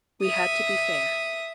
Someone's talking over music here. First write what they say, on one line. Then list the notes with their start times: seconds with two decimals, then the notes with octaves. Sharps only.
We had to be fair.
0.22 E5 D#6